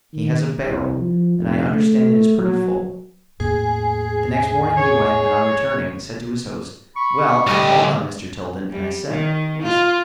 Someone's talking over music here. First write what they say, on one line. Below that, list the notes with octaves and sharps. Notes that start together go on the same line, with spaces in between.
He has a 'barrel,' and I understand it is pretty full." The next morning he went, and on returning said to his host: "Well, I called on Mr. Tilden, and I said: 'Mr.
D#3
C2
F3
F1
A3
F#3
E2 A2 A#3 G#4
C#5
B5 C#6
D3 G3 G4 D#5
G3
D#3
F4